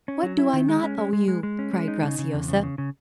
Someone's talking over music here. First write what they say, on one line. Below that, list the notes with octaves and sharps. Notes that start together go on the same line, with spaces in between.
"What do I not owe you?" cried Graciosa.
C#4
F#3
E4
D#3
G#3
C#4
G#3
G#3
G#3
G#3
C#4
G#3
D#4
C#3
C#3
E2
C#3
C#3
C#3